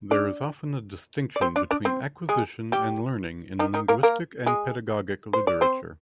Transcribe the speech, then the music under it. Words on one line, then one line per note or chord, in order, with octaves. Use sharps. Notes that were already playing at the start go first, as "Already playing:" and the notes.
There is often a distinction between acquisition and learning in linguistic and pedagogic literature.
D4 D5
D5
C4 C5
D4 D5
D4 D5
C4 C5
G#3 G#4
G3 G4
D#3 D#4
D#3 D#4
A#3 A#4
A#3 A#4
G#3 G#4
C5
D5
C4 C5